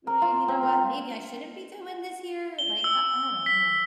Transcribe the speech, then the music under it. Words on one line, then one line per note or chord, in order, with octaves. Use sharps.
uh, "You know what? Maybe I shouldn't be doing this here?" Like, I I don't know.
A#4
F4
C4
A#4
G7
E6
B6